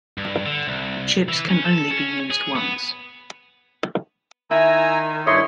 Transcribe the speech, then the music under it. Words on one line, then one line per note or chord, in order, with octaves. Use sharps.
Chips can be used only once.
G2
D3
C2
E3
C#4
A4
C#4
G#4
B3
D#3 E4 G#5 A#5 E6
G2 E4 C#5 D#5 E5 C6